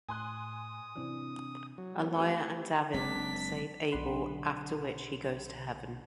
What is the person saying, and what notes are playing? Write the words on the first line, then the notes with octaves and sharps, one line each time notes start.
Alia and Davin save Abel after which he goes to heaven.
A2 G#5 C6 D#6 F#6
C3 E3 C4 D4
F#3
A#3 C4 G4
A3 C4 G4 F#5
F#1 G#3 C4 D4 B6
B1 D3 D4 F#5 B5 C6